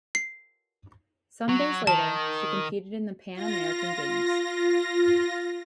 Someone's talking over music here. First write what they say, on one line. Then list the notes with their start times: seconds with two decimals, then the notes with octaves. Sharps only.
Some days later, she competed in the Pan American Games.
0.15 C7
1.49 F#3
1.87 D#3 A5
3.34 F4 A#6